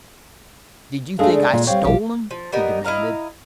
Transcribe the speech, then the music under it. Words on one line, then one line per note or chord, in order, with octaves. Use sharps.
"Did you think I stole them?" he demanded.
G#3 A3 D4 G#4 A4 F5
D5
A#2 G#3
G3 C4 C#5 F5 G5
A#1 B2 G3 G4
F3
G3 B3 D#4 A#4
E4 D#5 F5 A#5